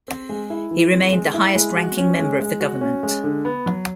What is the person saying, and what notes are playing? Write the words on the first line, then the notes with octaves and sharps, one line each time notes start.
He remained the highest-ranking member of the government.
C4
G#3
E4
E3
C4
G#3
E4
G#3
F#4
C#4
G#3
G#3
F#4
C#4
G#3
D3
B3
F#3